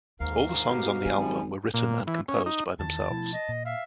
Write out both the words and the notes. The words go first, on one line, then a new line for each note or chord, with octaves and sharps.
All the songs on the album were written and composed by themselves.
D#2 G#2 A#4 F5
B2 G4
F#3 G#5
G#1 F#2 F3 G3
A#2
E3
C#4
D#4
E2 D#3 E3 A5
B2 F3 A3 E4
D#5
A#2
E5 F5